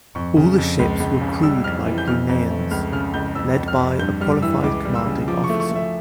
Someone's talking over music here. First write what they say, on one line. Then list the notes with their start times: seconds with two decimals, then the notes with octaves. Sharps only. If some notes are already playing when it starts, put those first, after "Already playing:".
All the ships were crewed by Bruneians, led by a qualified commanding officer.
0.15 F2 C#6
0.37 C#3
0.58 F2
0.79 C#2
1.00 C#2
1.21 C#3
1.43 G3 E6
1.64 F2 F6
1.86 E3
1.98 G6
2.07 F2 F6
2.29 F2
2.50 A3
2.71 C#2 F6
2.92 C#3 F6
3.14 C#2 G6
3.35 F2 E6
3.57 F2
3.68 F6
3.78 F2
3.99 G2 G6
4.21 G3 F6
4.42 E3 E6
4.63 C#2 D6
4.85 G3
4.95 E6
5.06 C#3
5.28 F3 D6
5.44 C#6
5.49 A3
5.60 C#6
5.70 A3
5.76 E5